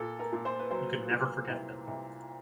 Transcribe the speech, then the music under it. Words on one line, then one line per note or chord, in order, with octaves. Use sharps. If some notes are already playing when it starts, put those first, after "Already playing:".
He could never forget them.
Already playing: A#2 A4
A#4
A#2
C5
B4
F#3 C5
A#2
C2
C2